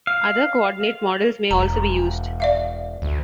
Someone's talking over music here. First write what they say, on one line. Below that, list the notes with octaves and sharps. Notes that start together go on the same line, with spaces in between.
Other coordinate models may also be used.
F5
E1 A#5
D5 E5 F5
D2